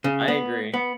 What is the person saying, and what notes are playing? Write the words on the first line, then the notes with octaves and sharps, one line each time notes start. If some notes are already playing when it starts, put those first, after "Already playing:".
I agree.
C#3
B3
B3